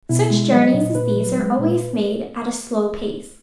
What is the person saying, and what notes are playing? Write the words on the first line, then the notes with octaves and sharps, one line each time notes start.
Such journeys as these are always made at a slow pace.
B2 E4
G#3
F#3 D#5
A#2
A#2 B4
F#3
G#3
A#2